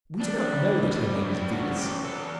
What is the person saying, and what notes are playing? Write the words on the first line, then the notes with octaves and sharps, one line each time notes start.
We do not know that her name is Venus.
A2 D4
G3
A2
G3
F#4
G3 E4
C#3 F#4
E2 G4
E2 A4